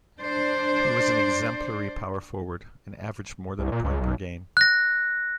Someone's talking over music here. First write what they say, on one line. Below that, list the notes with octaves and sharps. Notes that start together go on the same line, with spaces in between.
He was an exemplary power forward, and averaged more than a point per game.
D4 C5 D5
C2
A#2
C#2
B1
F#6 A#6